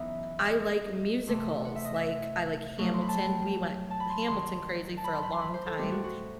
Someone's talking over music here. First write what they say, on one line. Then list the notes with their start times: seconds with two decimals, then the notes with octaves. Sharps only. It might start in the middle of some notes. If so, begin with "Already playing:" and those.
I like musicals, like, I like Hamilton. We went Hamilton-crazy for a long time.
Already playing: F#2 E3 B3 D#4 E5
0.52 D#5
1.27 E2 C3 E3 A3
1.65 F#5
1.75 E5
1.85 D#5
1.94 E5
2.78 B2 F#3 A3 D#4
2.93 C6
3.01 B5
3.09 A5
3.16 G5
3.90 A5
4.00 B5
4.10 C6
4.28 G2 D#3 F#3 C6
4.97 A5
5.04 B5
5.13 C6
5.23 B5
5.32 C6
5.41 B5
5.54 C5
5.67 A4
5.79 A2 G3 C4 G4
5.91 F#4
6.04 F#4